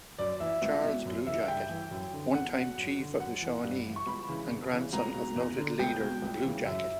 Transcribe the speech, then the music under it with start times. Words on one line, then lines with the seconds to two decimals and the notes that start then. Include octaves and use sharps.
Charles Bluejacket, one-time chief of the Shawnee and grandson of noted leader Blue Jacket.
0.18 F#2 D5
0.40 E3 E5
0.62 C#2
0.83 B2
1.05 F#2
1.27 C#3 E3 E5
1.48 G2 G5
1.69 E3
1.91 F#2
2.13 D3
2.34 E2 F#5
2.56 B2
2.78 F#2
2.99 D3
3.20 F#2 F#5
3.42 E3
3.64 G2
3.85 E3
3.96 C#6
4.07 C#2 B5
4.28 C#3 E3
4.50 E2
4.72 C#3 E3
4.93 C#2 A#5
5.15 B2
5.36 E2
5.58 D3
5.79 C#2 G5
6.01 B2
6.22 C#2
6.44 C#3 E3
6.65 F#2 E5